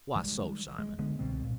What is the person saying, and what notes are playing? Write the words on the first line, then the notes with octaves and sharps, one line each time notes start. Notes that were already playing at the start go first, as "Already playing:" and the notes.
"Why so, Simon?"
D#3 G3 G#3
G#3
D3 G#3 B3
C2 B2 G3 C4
A#2